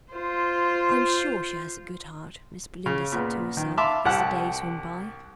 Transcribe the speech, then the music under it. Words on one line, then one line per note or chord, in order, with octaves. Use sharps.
"I am sure she has a good heart," Miss Belinda said to herself, as the days went by.
F4 C5
C#3
A#2 B3
D#3
E5 F5 A5 B5 C6 D6
C2 G4 F#5 A5 F#6